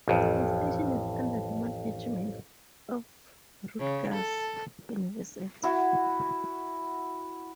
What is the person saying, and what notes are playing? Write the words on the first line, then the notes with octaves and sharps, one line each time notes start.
The station is under the management of Rutgers University.
A1 F2
C#3
A4
E4 F#4